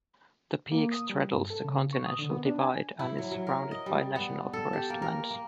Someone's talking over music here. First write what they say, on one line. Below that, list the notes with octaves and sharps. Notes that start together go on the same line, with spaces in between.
The peak straddles the Continental Divide and is surrounded by National Forest lands.
A#3
D#6
G3
G2
A4
C#3
C#6
D#6
D3
B3
D4
G#5
E4
F#3
F#3
A#4
D#5
G3
B3
A4
G4
A#3
A#4
A#3